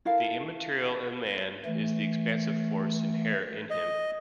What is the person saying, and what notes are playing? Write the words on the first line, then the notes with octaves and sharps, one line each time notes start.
The immaterial in man is the expansive force inherent in him.
E4 A4 A#4 F5
E3 A3
D#5